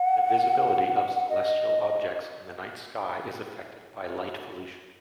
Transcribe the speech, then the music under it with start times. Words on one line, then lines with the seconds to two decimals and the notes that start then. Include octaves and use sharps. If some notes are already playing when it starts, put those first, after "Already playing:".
The visibility of celestial objects in the night sky is affected by light pollution.
Already playing: F#5
1.30 D#5